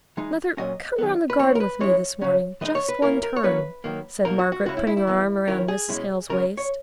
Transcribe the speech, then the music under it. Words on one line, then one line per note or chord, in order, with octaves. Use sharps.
'Mother, come round the garden with me this morning; just one turn,' said Margaret, putting her arm round Mrs. Hale's waist.
E3 G#3 D#4
A#2 F#3 C#4 D#5
D#3 F#3 B3
B4
E3 B3 E4 C#5
A#4
B4
E3 G#3 C#4 E4 C#5
C#3 F#3 C#4
E3 G#3 D#4 D#5
C#5
B4
A#2 A#3 C#4 E4 A#4
A#4
C#5
F#3 A#3 C#4 E4 B4
D#3 F#3 A#3
B2 A#3 D#4 A#4
F#4
F#4
C#3 G#3 C#4 E4 F#4
E4
E4
E4
E3 G#3 B3
D#3 F#3 C#4 E4 A#4
G#4
B2 G#3 C#4 E4
C#3 G#3 C#4 A#4
C#5